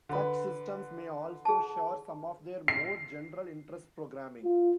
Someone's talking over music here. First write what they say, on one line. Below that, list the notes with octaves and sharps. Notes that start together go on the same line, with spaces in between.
Such systems may also share some of their more general interest programming.
D3 B4
G#4 A5
C7
F4